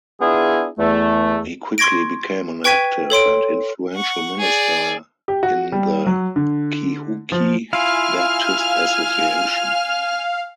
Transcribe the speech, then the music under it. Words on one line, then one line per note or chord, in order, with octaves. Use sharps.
He quickly became an active and influential minister in the Kehukee Baptist Association.
B3 D4 E4 F4 G#4
E2 A3
C6 C#6 G#6 A#6 D7
B4 G5 C#6 G#6 B6 D#7
A4 C#5 C6 D7
F#5 C#6
G#4 D5
G4
F#4
G3
F#3
D3
F3
E4 F4 F5 G#5 F6